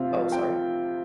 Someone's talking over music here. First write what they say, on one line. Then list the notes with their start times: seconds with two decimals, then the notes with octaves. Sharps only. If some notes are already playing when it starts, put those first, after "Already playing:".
Oh, sorry?
Already playing: C3 C4 F4
0.11 F3
0.31 C4 G5